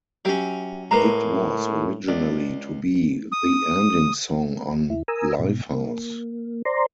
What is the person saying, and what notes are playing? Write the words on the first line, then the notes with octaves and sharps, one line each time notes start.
It was originally to be the ending song on "Lifehouse".
F#3 C#4 G4 E5
A2 G#3 A#3 B4 A#5
C#2 D5
D#6
D#2 E4
A#4 G#5 A#5 D#6 E6
G#2 B2
A#3
C5 D5 A#5 C6